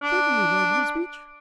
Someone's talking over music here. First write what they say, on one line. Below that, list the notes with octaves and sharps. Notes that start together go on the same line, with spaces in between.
"Certainly, Lord Wisbeach."
D4